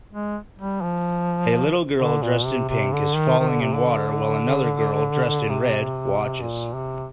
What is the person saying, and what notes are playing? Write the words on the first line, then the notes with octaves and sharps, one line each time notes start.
A little girl dressed in pink is falling in water while another girl dressed in red watches.
G#3
G3
F3
D3
A#2
C3
C3
D3
D#3
D#3
D3
C3
D3
C3
A#2
C3